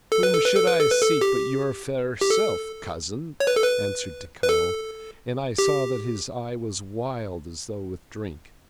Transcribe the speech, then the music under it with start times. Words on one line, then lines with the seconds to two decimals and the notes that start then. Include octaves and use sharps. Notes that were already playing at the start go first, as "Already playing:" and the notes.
"Whom should I seek but your fair self, cousin?" answered Tikal--and I saw that his eye was wild, as though with drink.
0.12 A4
0.23 B4
0.34 A4
0.45 B4
0.56 A4
0.67 B4
0.79 A4
0.91 B4
1.03 A4
1.21 G4
2.22 G4
2.30 A4
3.40 C#5
3.47 B4
3.55 A4
3.63 B4
4.43 B4
4.49 A4
5.58 G4